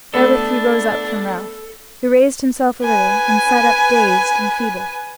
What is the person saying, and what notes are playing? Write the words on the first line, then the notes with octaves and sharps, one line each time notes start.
Therewith he rose up from Ralph, who raised himself a little, and sat up dazed and feeble.
A3 B3 D4 A4 E6 E7
B4 G#5